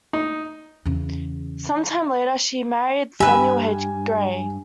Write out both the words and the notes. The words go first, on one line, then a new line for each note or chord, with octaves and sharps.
Sometime later, she married Samuel H. Gray.
D#4
E2 C#3
G2 G4 B4 E5 G#5